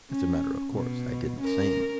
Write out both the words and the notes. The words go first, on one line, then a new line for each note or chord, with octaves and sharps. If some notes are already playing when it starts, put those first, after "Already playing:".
As a matter of course I did the same.
C#4
B2
C#4 A#4